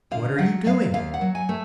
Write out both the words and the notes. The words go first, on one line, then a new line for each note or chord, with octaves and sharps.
What are you doing?'
D3 F5
F#3 F#5
F#3 F5
D#2 F5
F#5
F#3
G#5
A3